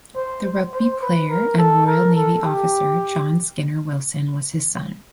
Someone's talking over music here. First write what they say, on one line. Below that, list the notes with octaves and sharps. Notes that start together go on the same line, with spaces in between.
The rugby player and Royal Navy officer John Skinner Wilson was his son.
C5
C5
B4
A#4
A4
A#4
A4
G4